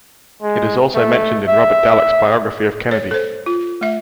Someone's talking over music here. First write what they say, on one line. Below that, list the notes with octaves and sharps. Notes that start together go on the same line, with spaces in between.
It is also mentioned in Robert Dallek's biography of Kennedy, "".
G#3
A3
E5
C#5
A4 C5
F4
A3 E5